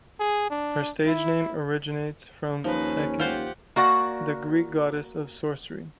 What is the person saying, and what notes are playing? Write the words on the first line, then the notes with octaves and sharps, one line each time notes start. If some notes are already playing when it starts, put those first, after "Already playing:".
Her stage name originates from Hecate, the Greek goddess of sorcery.
G#4
D4
E4
D#2 F3 C#4 D#4 B4
F4 G4 C5 F5 F#5
A#3 F#4 D5 F#5